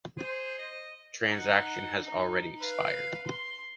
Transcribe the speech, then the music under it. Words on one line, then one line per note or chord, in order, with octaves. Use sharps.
Transaction has already expired.
G#4 C5
D#5
D#4 F#5
D#4
B4 F5
C6